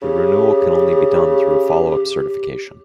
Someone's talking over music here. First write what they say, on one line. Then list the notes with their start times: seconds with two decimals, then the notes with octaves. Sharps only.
The renewal can only be done through a follow-up certification.
0.02 C#3 G4